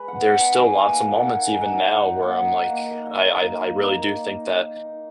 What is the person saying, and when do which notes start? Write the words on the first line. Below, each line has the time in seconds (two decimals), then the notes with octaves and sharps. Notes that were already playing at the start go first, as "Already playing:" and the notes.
there's still lots of moments even now where I'm like, I I d I really do think that
Already playing: G#3 B4
0.08 F#5
0.16 B3
0.39 D#4 G#5
0.63 D#4
0.71 G#5
0.85 A#3
1.01 F#5
1.08 A#3
1.31 A#3 G#5
1.54 D#4
1.61 F#5
1.77 D#4
2.00 D#4
2.22 A#3 F#5
2.46 D#4
2.69 A#3
2.91 A#3
3.15 D#4
3.37 A#3
3.61 D#4
3.84 A#3
4.07 D#4
4.30 D#4
4.53 D#4
4.76 D#4